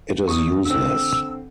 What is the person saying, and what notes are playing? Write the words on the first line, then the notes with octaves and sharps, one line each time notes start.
It is useless.
C#6 D#6
D3 C4 E6